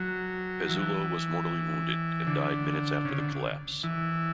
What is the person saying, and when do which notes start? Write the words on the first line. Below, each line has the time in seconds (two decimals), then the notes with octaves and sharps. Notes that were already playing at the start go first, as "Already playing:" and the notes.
Pezzulo was mortally wounded and died minutes after the collapse.
Already playing: F#3
0.69 E3
2.27 D3
3.05 C#3
3.18 D3
3.84 E3